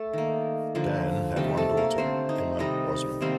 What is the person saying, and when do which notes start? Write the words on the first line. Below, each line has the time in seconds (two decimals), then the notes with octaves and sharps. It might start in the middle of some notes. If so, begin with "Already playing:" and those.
Dan had one daughter, Emma Osman.
Already playing: A3 A4
0.13 D#3 A#3
0.75 D3 F3 A#3
1.36 C3 D#3 G3 A3 G4
1.57 A3 A4
1.77 A#3 A#4
1.98 D3 A3 C4 C5
2.29 D#4 D#5
2.59 C3 D#3 G3 D#4 D#5
3.21 C3 D#3 G3 A#3 C4 C5